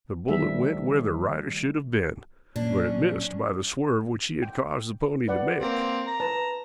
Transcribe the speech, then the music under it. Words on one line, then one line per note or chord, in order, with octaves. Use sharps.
The bullet went where the rider should have been, but it missed by the swerve which he had caused the pony to make.
D#3 F3 G3 A3 E5
A#2 F#3 C#4 D4
G5
B4 D5 F#5
A#3 C4
A#5
B4 A5